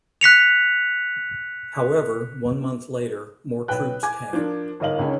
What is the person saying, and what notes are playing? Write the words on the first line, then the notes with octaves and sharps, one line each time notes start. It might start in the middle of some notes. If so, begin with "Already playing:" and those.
However, one month later, more troops came.
F#6 B6 C#7 F7
B1 B4 G5 F#6
G#5 D6 G#6
F3 D4 A#4
G1 G#2 A#4 D#5 F5 F#7
C#2 D3 C#4 D#4